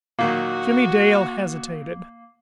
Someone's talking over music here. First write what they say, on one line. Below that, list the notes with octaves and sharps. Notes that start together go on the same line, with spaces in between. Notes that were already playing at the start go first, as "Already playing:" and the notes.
Jimmie Dale hesitated.
A#2 D#3 F#3 A#3 F#4